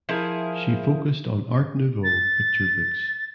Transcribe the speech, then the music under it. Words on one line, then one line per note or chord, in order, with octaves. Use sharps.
She focused on Art Nouveau picture books.
F3 E4 G#4 A#4
A6